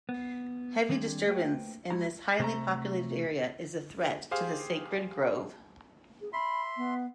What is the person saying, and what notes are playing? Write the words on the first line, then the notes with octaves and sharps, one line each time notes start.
Heavy disturbance in this highly populated area is a threat to the sacred grove.
B3
D#3 G3 B3 C4 D4 G#4
A3 A#3 B4 C5 G5
G#3 E4 F#4 A#5
C3 A3 A#5
G4 G#4 C5 F5
G#4
E5 B5 C6
B3